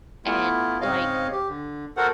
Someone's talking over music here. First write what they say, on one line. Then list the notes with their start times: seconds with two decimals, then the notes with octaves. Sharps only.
and, like,
0.25 A3 B3 E4 F4
0.81 G#2 C#3 C4 C#5 D#5 F5
1.32 G4
1.48 D3
1.97 F#4 A4 A#4 C5 F#5